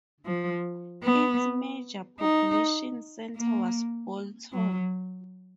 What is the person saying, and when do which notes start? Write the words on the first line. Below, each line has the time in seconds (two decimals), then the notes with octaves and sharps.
Its major population centre was Bolton.
0.26 F3
1.03 B3
2.20 D#4
3.36 A#3
4.53 F#3